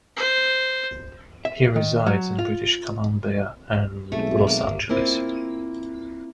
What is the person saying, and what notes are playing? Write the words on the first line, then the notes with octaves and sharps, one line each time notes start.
He resides in British Columbia and Los Angeles.
C5
E5
D#3
F#3
F4
B1 G#3 A3 C4 G#4
A#3
A#3 C4 E4 F4